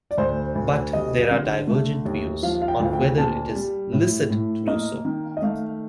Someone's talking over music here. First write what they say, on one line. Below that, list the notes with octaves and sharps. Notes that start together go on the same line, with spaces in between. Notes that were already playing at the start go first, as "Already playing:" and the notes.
But, there are divergent views on whether it is licit to do so.
D5
D2 C5
D2
G3 D#5
D3
A3
D#2
F3 F5
F5
G5
D2 F5
G5
A#2 A5
G3
A2
A2
A#3 D#5
D#3
D#5
A3 F5